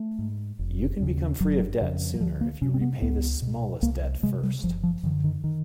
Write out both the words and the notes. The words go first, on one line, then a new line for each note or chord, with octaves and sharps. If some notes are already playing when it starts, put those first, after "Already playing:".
You can become free of debt sooner if you repay the smallest debt first.
Already playing: A3
G#2
F1
D#2 C#3
F#1 F#3
F2 C#3
F#3
D2 F3
A#3
C3 C#4
C4
B3
C#2 B3
B2
C2 A#3
C3 G#3
G3
F#1 F3
F3
F#2 D3 E3
D#3
D#3